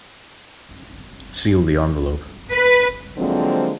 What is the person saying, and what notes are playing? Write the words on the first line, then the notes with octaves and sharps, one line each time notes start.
Seal the envelope.
B4
D3 F3 F#3 G#3 A#3 C4